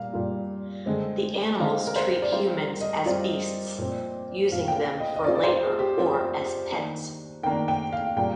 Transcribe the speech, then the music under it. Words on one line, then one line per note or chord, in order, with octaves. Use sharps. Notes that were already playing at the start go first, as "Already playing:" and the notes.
The animals treat humans as beasts, using them for labor or as pets.
Already playing: A#2 G3 A#3 F5
A#2 G3 A#3 F4
D3 G#3 C4
D3 G#3 C4 F5
A#4
C5
D5
G3 C4 F4 C5
A#4
D#5
G3 C4 F4 D5
A#2 F3 C4
A#2 F3 C4 F5
G5
F5
D#5
D#5
F3 C4 F4 D5
D5
C5
G#4
G4
F3 C4 F4
D#3 A#3 D4
D#3 A#3 D4 G5
G5
F5
A#2 G3 A#3 G5